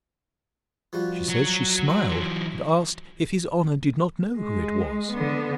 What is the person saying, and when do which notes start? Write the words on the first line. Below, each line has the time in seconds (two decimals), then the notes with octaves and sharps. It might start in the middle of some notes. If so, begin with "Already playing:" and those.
She says, she smiled, and asked, If his honour did not know who it was?
0.93 F3 G3 F#4
1.29 F#3
1.90 C5
2.10 E3 F#3
4.38 G#3
5.13 D3 B3